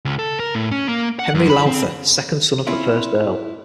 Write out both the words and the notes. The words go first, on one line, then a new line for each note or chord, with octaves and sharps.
Henry Lowther, second son of the first Earl.
C#2
A4
A#4
A2
C#4
A#3
F#5
F#2
B5
C4
C4 C#4 E4 F4